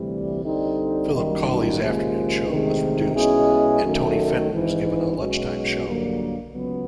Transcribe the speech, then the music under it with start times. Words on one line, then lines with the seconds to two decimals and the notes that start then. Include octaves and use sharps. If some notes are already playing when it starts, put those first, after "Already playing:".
Philip Cawley's afternoon show was reduced and Tony Fenton was given a lunchtime show.
Already playing: D2 C3 E3 G3
0.43 D3 G3 C4 D#4
1.11 F#2 D#3 G3 A#3 D#4
1.79 D#2 C#3 F3 G#3
2.47 D2 C3 D#3 G#3
3.14 B2 G#3 C#4 E4 G#4
3.82 F#2 D#3 F#3 A3
4.50 G#1 G#2 E3
5.18 B1 B2 G#3 C#4 F#4
5.86 G2 D3 F#3 A#3
6.54 C#2 C#3 F#3 B3